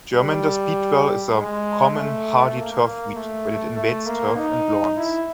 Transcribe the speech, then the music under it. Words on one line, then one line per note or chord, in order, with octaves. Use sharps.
Germander Speedwell is a common, hardy turf weed when it invades turf and lawns.
G3
G#3
A3
A#3
A3
A3
A#3
D#4
E4